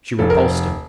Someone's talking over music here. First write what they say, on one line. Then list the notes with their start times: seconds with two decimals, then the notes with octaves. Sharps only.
She repulsed him.
0.19 F1 A4
0.30 A#4